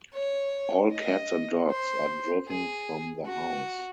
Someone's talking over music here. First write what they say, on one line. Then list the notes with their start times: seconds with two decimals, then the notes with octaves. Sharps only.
All cats and dogs are driven from the house.
0.14 C#5
0.92 D#5
1.71 C5
2.48 G#4
3.27 F#4